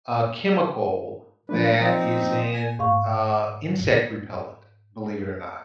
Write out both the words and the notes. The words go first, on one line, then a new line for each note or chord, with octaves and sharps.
uh, chemical that is in, uh, insect repellent, believe it or not.
F3 A3 D4 B4
F3 C4 D#4
G#5
G#2 F5 C#6